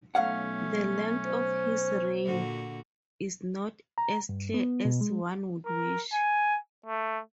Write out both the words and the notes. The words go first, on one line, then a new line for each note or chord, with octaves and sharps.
The length of his reign is not as clear as one would wish.
B1 A3 C#4 F5 F#5
C5
A#2 D3 F#4
A#5
G2
B3
B2
G#3
A#4
G#5
A3